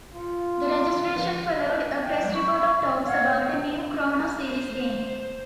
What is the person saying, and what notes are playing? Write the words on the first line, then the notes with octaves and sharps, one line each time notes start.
The registration followed a press report of talks about a new "Chrono" series game.
F4
G5
C#6
C#6
C#5 F5 F#5
C5